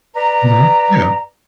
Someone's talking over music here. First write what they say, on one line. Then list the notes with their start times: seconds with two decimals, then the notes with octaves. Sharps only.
Mhm, yeah.
0.16 B4 D5 A#5